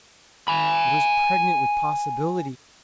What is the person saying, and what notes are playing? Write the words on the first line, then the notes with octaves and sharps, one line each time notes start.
It was pregnant with possibilities.
G#5 B5